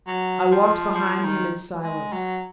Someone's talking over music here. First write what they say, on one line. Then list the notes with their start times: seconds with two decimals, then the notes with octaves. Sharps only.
I walked behind him in silence.
0.07 F#3
0.51 F3
0.95 F3
1.24 D#3
1.83 G#3
2.12 F#3